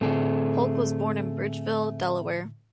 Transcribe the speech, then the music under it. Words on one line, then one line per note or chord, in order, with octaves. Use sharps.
Polk was born in Bridgeville, Delaware.
A2 D3 A3 C4 G#4